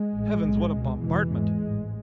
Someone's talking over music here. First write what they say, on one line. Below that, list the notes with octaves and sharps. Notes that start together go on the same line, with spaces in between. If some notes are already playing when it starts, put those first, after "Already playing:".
Heavens, what a bombardment!
Already playing: G#3
A1 G#2
B1 A2
C#2 B2
F#1 E2 B2 E3
G#1 G#2 G#3
A1 G#2